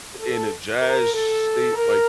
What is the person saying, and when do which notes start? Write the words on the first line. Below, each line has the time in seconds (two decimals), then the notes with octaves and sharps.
in a jazz state? Like,
0.19 A4
0.81 A#4
1.13 A4
1.75 A#4